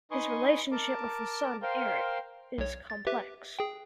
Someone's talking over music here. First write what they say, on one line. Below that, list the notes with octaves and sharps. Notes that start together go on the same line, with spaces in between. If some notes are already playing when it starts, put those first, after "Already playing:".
His relationship with his son Eric is complex.
D#4 B4 G#5 C6 C#6 D#6
A#4 A5 D6
A#4 C5 F5 G5 C6
B1 C#5
A6
G4 B4 E5
G#4 G5